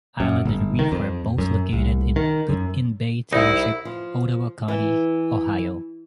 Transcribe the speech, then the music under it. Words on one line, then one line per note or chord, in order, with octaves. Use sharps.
Island and reef are both located in Put-in-Bay Township, Ottawa County, Ohio.
F#2
G1
D#3
F2
F#2
C2
D#3
F#2
C2 D#4 E4
F3
E3